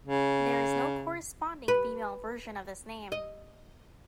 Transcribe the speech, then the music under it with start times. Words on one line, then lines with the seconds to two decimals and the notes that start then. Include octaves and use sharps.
There is no corresponding female version of this name.
0.06 C#3
1.68 B4
3.12 D#5